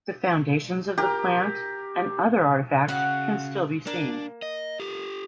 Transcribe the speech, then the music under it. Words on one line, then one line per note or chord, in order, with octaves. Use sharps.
The foundations of the plant and other artifacts can still be seen.
G4 A#4
C#3 F#4 F#5
A#3 D4
D#5
G4 A4